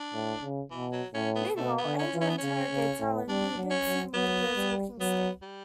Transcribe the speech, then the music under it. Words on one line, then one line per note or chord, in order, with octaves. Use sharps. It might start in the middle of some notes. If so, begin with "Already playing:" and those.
Meanwhile, Angel interrogates Allen, who hits him with the talking stick.
Already playing: D4
A2
C#3
B2 E3
F#3
A2 C#4
B3
B2 A3
B3
D3
C#4
E3
C#4
B3
C#3 C#4
C#3
A2
G3 D4
F#3
C#4
F#3
F#3 B3
G3
F#3 B3
G3